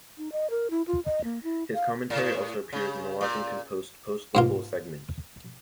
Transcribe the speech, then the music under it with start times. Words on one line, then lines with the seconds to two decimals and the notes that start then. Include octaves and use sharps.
His commentary also appears in the Washington Post's PostGlobal segment.
0.18 D#4
0.32 D#5
0.50 A#4
0.71 E4
0.87 F4
1.05 D#5
1.24 A#3
1.44 E4
1.74 F5
2.10 A2
2.73 C#3
3.21 A#2
4.35 G#2 A#3 F4